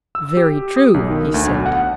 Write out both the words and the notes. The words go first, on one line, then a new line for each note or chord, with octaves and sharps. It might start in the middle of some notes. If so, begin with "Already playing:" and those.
Very true, he said.
E6
G4
D#6
B1
D#3
D2
B1
F#5